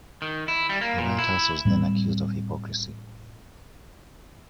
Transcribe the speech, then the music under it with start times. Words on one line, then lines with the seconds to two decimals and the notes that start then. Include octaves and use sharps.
The White House was then accused of hypocrisy.
0.22 D#3
0.48 E4
0.69 G3
0.81 A#3
0.98 A#2
1.19 E4
1.65 A2 G3 B3 C4